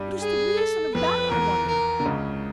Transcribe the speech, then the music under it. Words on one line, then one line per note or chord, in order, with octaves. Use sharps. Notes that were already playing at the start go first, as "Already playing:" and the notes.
What is the reason of that, I wonder?
Already playing: G2 G3
G#4
A4
F2 F3 B4
E2 E3 A#4
A#4
D3
C#2 C#3